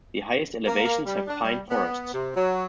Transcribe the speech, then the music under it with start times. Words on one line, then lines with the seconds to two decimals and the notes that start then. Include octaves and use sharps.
The highest elevations have pine forests.
0.66 A#3
0.84 A#3
1.06 G3
1.28 D4
1.43 G3
1.70 B3
2.12 C3
2.36 F#3